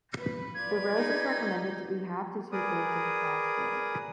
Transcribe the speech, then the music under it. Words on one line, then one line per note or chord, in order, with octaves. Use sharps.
The rose is recommended to be half to two-thirds of the flag's width.
F3 B4
F4 B4 D5 G#6
D#4
G#4 A#4 B4 D5 D#6